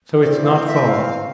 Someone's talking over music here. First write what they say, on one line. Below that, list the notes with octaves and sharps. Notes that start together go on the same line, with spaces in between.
"So it's not far?"
E3 A3 C4 D5
F5
E5
F5